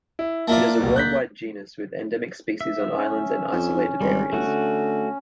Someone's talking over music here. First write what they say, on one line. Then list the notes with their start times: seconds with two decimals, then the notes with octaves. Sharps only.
It is a worldwide genus with endemic species on islands and isolated areas.
0.19 E4
0.48 A#3 F4 D5 E5 A5
0.80 D1 C2 B2
0.96 F#6 G6 B6
2.61 E5
2.95 C#4
3.52 F2
4.01 G#1 G3
4.33 G1 A3 F#4
4.46 D3